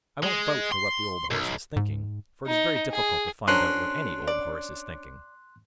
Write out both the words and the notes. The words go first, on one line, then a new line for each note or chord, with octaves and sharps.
I won't vouch for what the old horse was thinking, for it is very difficult to find out what any old horse is thinking.
G#3
C6
B1
G#2
D#4
G#4
F#3 C#4 D4 A#4 C5 C6 F#6
D5